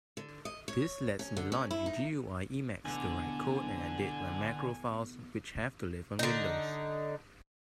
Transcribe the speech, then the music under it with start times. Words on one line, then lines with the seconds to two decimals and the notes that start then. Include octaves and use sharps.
This lets me launch GUI Emacs to write code and edit my macro files which have to live on Windows.
0.17 D3
0.45 D#5
0.68 C#5
1.19 C#4
1.37 D3
1.52 C#4
1.71 E4
1.86 D#4
2.85 E2 B2 D3 A3 G#5
6.19 D3 D#4